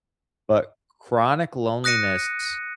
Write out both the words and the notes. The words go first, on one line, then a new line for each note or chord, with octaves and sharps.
But chronic loneliness
D#6 F#6 A#6 C#7 D#7